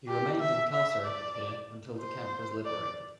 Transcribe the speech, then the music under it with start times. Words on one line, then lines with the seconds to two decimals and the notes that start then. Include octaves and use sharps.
He remained incarcerated here until the camp was liberated.
0.08 G4
0.40 E5
0.72 E5
1.05 D5
2.01 C5
2.65 D5